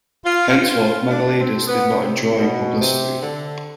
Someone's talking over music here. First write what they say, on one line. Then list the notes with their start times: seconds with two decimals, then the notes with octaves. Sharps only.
Henceforth, Maglakelidze did not enjoy publicity.
0.25 F4
0.68 F4
1.10 D4
1.39 C4
1.67 B3
1.95 C3
2.37 B2
2.80 C3
3.22 D3